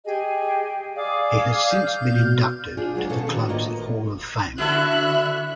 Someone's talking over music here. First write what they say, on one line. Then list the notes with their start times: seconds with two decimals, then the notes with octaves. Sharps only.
He has since been inducted to the club's Hall of Fame.
0.04 G4 G#4 D#5
0.96 G#4 D5 F5 D6
1.69 F6 G6
2.09 B2
2.77 D4 F4 G#4
2.95 E2 F#3 G#3 G#4
3.09 B2 B3 C#4 A4 F5
3.27 D#3 D4 F#4
3.49 A2 A#3 F4 B4 D#5
4.58 D3 E4 F#4 A4 E5 F#6